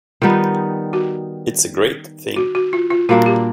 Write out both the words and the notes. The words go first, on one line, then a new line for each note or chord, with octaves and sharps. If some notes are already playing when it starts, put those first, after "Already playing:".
It's a great thing.
D#3 G3 B3 D#4 F4
F#4
F#4
F#4
F4
F4
A#2 G3 A#3 D4 F#4
G4